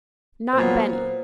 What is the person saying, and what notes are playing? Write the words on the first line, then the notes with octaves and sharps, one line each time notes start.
Not Benny!
A#2 F#3 B3 C5